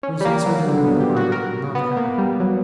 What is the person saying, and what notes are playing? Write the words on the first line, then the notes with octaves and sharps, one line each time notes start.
She was uncertain in her mind, and not happy.
C#4
G3
A#3
F#3
D3
B3
G4
F#4
A#4
B3
A#3
G3
F#3